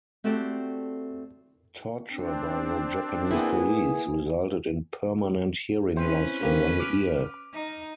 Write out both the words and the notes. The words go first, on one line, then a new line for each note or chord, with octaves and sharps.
Torture by the Japanese police resulted in permanent hearing loss in one ear.
A3 C4 F#4 G4 A4 D5
C4 D4
A#3 B3 E4 G#4
C4 C#4 E4 B4 C5
D3 A#3 C4
D6 F6
D#4